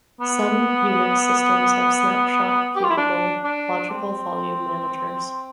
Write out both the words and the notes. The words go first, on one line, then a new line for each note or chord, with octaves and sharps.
Some Unix systems have snapshot-capable logical volume managers.
B3
G4
F4
E4
D4
D4
C4